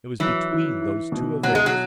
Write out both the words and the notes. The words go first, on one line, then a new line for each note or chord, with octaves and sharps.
It was between those two events.
E3 F#3
E4
E4
B2
B2 F#3
G#3
F#3